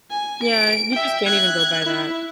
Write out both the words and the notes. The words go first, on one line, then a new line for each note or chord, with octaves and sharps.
Yeah, you just can't even go by that.
G#5
D7
E5 G5
F#6 G#6
E4